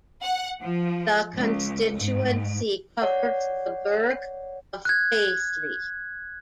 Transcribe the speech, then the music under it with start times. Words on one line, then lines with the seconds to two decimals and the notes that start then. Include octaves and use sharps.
The constituency covered the burgh of Paisley.
0.22 F#5
0.61 F3
1.36 C#2
1.97 G#2
3.01 C#5 D5 F#5
4.85 F#6 G#6